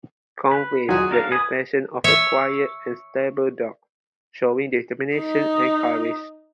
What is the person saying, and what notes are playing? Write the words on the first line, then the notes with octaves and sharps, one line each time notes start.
Conveys the impression of a quiet and stable dog showing determination and courage.
B4
F#3 F4 F#4 G#4
D4 A#4 F5
B4 G#5 D#6
C#5 E5
D#4